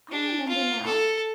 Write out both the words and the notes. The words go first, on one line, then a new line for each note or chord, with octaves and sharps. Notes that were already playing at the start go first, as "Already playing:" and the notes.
I remember now!
D4
F4
A4